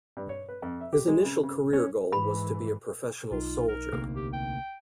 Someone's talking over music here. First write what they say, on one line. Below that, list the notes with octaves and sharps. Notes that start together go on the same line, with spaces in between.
His initial career goal was to be a professional soldier.
G2
C#5
B4
F2
E5
G4
G#3
C#3
C#3
C#4
G#2 E3 B5
B1 D#4 F4
A#4
D2 C3 A#3
G4
G5